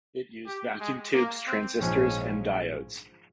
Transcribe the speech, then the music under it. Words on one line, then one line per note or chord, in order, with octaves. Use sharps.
It used vacuum tubes, transistors, and diodes.
G4
G#3
A#3
C4
A#1 G#2 F3 G#3 C#4